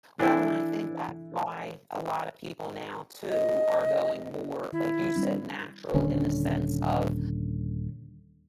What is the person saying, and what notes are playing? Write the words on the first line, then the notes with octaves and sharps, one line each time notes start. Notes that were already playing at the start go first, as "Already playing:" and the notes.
Well and I think that's why a lot of people now, too, are going more, like you said, natural in the sense of
E3 D4 E4 A4
D#5
D#3 E4
G3 C4 D4
D#1 D3 C#4